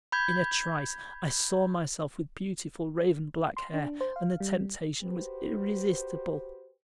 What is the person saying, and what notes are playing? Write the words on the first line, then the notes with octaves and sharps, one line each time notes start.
In a trice I saw myself with beautiful raven-black hair and the temptation was irresistible.
B5 G6 G#6
C6
D4
C5
F5
G3
F#4 G4 B4 C5